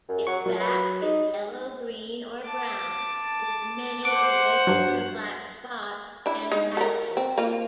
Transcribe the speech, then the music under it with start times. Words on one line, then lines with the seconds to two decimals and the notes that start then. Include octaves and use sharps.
Its back is yellow, green, or brown, with many irregular black spots and patches.
0.09 F#2
0.27 F#3 C#6
0.46 A#2 F#3
0.60 B4
1.02 D#4
2.45 A5 D6
4.05 C5 F#5 D6
4.67 G2 F#3
6.26 D4 E4
6.52 G#3 D#4
6.77 A4 A#4
7.17 C4
7.38 A#3 F4